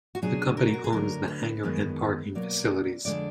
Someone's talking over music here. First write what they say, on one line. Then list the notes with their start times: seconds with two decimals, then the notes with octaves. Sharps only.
The company owns the hangar and parking facilities.
0.15 F#4
0.22 B2 F#3 D4 G#4
0.57 A#4
0.74 F#4
0.84 G#4
0.92 D2 D3 F#3 A#4
1.28 B4
1.63 F#2 D#3 G#3 B3
2.35 B2 F#3 A#3 D5
3.05 F2 D3 G#3 D4 D5